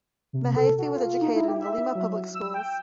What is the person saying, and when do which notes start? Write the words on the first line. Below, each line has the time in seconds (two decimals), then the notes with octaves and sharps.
Mehaffey was educated in the Lima public schools.
0.33 C3
0.57 A4
0.78 F#4
0.94 F4
1.21 D#4
1.36 E4
1.48 G4
1.61 E5
1.95 F#3
2.34 E6
2.54 G5